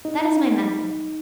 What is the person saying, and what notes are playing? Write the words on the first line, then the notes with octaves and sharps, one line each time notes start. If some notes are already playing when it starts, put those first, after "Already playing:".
That is my method.
D#4